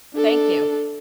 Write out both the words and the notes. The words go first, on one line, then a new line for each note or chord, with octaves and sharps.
Thank you.
D4 A4